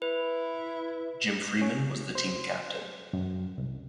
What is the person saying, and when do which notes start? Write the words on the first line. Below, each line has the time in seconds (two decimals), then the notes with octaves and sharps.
Jim Freeman was the team captain.
0.02 E4 B4
1.62 C#4
2.15 C5
3.13 F#2
3.58 C2